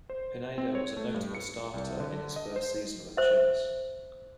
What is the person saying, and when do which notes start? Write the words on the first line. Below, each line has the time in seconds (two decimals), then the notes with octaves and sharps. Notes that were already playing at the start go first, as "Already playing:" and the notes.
Pineda was a notable starter in his first season with Chivas.
0.10 C5
0.58 C4
0.75 C#5
0.97 A3
1.14 G2
1.35 C#7
1.74 C2
2.00 D3
2.36 D#5
2.56 C5
3.17 C5 E5